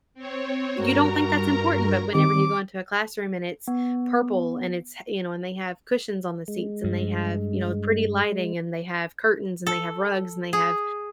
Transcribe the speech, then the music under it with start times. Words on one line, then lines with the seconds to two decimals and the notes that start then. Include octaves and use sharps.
you don't think that's important, but whenever you go into a classroom and it's purple and it's h you know, and they have cushions on the seats and they have, you know, pretty lighting and they have curtains and they have rugs and they have,
0.14 C4 C#5
0.77 G2 F#4 A#4 A#5
2.13 D#3 C4 G4 D6
3.68 B3
6.48 G#3
6.84 G2
9.67 A4
10.53 G#4